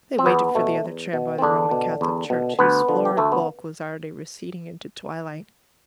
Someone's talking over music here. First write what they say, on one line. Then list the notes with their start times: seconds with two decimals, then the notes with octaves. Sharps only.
They waited for the other tram by the Roman Catholic Church, whose florid bulk was already receding into twilight.
0.18 C4
0.26 E2 B3
0.55 B2 A3
0.85 E2
1.13 B2
1.38 C4
1.42 E2 D3 D4
1.71 B2
2.01 E2
2.30 B2
2.59 D2 B3 B4
2.88 D3 F3
3.05 G4
3.17 D2 A3 A4
3.32 B3